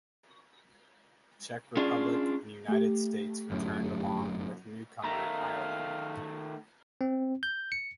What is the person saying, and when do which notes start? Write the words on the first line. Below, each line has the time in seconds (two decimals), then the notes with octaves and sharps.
Czech Republic and United States returned along with newcomer Ireland.
1.77 C#4 D4 F4 G#4
2.68 A3 G4
3.50 G1 F#2 A2
5.04 D#3 A3 F5 A#5
7.01 C4
7.43 G6
7.72 C#7